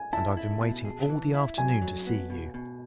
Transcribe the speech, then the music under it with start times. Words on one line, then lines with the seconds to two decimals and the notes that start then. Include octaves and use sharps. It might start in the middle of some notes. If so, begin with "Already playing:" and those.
And I've been waiting all the afternoon to see you.
Already playing: G#5
0.13 E4 A5
0.37 E4
0.61 B2
0.85 G#4
1.09 E3
1.34 E4
1.57 F#3 G#5
1.82 F#3
2.07 B3
2.30 B2
2.54 B2